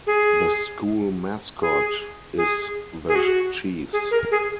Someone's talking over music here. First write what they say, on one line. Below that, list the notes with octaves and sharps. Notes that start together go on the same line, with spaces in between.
The school mascot is the Chiefs.
G#4
G#4
G#4
G#4
F#4
G#4
A#4
G#4